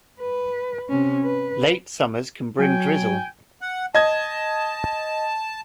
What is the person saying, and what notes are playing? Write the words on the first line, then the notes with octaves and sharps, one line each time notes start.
Late summers can bring drizzle.
B4
C3 C#4
B4
F#3 G5 G#5
F#5
D#5 A5 G#6